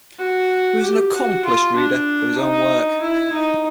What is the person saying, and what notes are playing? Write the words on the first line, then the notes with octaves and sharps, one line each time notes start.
He was an accomplished reader of his own work.
F#4
G4
F#4
F4
D4
D#4
E4
D#4